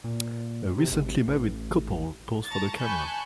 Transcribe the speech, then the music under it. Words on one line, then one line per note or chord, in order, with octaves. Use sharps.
A recently married couple pose for the camera.
A#2
C3
G#1
A1
A5 A#5 C#6 A6
G#5 A5 B5 C#6 F#6 G6